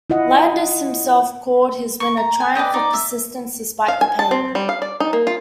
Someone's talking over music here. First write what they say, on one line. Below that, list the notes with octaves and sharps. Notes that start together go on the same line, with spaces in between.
Landis himself called his win "a triumph of persistence" despite the pain.
E4 F4 D#5 F#5
C#6
A#5
G#5
B4 D5 D#5 G5
D#4 D5
E5
F5
G#5
A5
C4
G3
F5
D5
D#4
A#3
F4